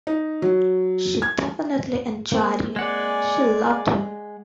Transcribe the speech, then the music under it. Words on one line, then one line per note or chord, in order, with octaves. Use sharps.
She definitely enjoyed him — she loved him.
D#4
F#3
G#6
A#3 C4
G#3 D5 F#5 G#5